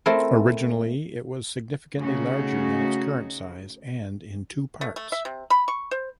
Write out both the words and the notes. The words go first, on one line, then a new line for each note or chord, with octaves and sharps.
Originally it was significantly larger than its current size and in two parts.
A3 C4 E4 A#4
C#3 A3 C#4 D#4 F#4
A3
A3
E5
C3
B5
C#6
C5